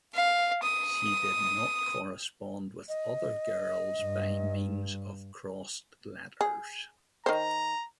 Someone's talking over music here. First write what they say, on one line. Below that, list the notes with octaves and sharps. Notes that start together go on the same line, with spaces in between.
She did not correspond with other girls by means of crossed letters.
F5
D#6
D#5
G2
G#4
D#3 C5 A#5